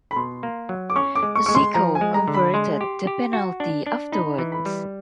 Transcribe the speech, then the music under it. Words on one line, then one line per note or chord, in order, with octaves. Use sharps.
Zico converted the penalty afterwards.
B5
B2 C6
A#3
F#3
D6
C#4 C#6
D6
G#3
C#6
G#3 C#6
C6
F3 A#5
G#5
G#3
A#5
D3
B5
G#3 C6
G4
G4
F#4
D4
D4
D#4 B5
E3
B5
G3